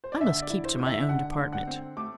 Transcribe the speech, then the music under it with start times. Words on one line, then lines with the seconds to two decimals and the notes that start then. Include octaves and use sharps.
"I must keep to my own department."
0.04 C5
0.12 D5
0.21 D3 E5
0.42 D5
0.50 E4
0.65 C5
0.80 D3
0.86 E5
1.08 D3 F#5
1.38 D3
1.53 F#5
1.67 C4
1.97 A3 D6